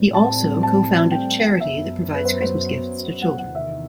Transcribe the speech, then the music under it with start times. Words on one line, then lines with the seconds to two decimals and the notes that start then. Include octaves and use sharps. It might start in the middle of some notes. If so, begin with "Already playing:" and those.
He also co-founded a charity that provides Christmas gifts to children.
Already playing: A2 G3 C4
0.14 A5
0.63 A5
1.11 G5
1.60 F#2 F#3 B3 E5
2.14 B4
2.25 C5
2.42 C5
3.22 F#5
3.38 F#5
3.55 E2 C3 D#3 E5